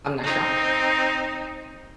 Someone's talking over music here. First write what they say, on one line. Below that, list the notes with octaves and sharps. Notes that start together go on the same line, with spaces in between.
I'm not shocked."
C4 D#4